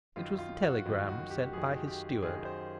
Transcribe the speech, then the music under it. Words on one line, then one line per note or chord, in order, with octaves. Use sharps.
It was the telegram sent by his steward.
F#2 D#3 F4
F4
F#4
F#2 D#3
F#4
G4
F#2 D#3 G#4
G4
F#2 D#3 G#4
C5